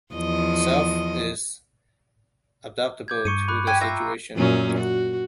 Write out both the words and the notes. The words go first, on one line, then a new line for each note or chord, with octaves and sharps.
The self is adaptable to the situation.
E2 F3 D#5
D6 G6 G#6
G2 C#6 C#7 D#7
B5 D6 F#6
G4 G#5
F4 E5 A#5
F#2 A#2 C#4
F#4